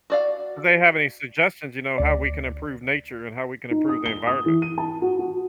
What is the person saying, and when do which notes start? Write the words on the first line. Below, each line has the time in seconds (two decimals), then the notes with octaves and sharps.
Do they have any suggestions, you know, how we can improve nature, and how we can improve the environment?
0.10 F#4 D5 F5
1.98 D2 D5
3.71 D#4
3.89 D#6
4.06 G7
4.27 D#6
4.46 E3
4.62 D#7
4.78 A5
5.02 F#4
5.19 F#4